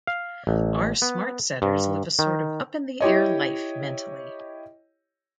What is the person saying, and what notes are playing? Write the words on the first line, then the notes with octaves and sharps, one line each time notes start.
Our smart setters live a sort of up-in-the-air life mentally.
F5
A1
B3
G2
D#3
E4 G4 C#5 D#5